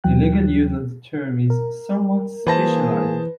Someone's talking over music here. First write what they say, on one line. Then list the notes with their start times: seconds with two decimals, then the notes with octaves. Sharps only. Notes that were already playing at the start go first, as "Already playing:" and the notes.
The legal use of the term is somewhat specialized.
0.04 D#2 E3 F#3 G5 F#6
1.50 A#4
2.47 E3 A#3 G#4 B4 C5 A5 A#6